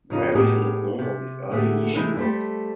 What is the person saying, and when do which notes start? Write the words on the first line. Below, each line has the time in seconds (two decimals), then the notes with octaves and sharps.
Very little is known of these early "yeshivot".
0.10 F2 C#3 D#4
0.35 A2 B3 D#4 G4 G#4
0.99 C3
1.51 A2 D3 A3 B3 G4 G#4
1.95 C3 E3 G#3 A3 D#4 E4
2.16 G3 A3 G4 A4 C5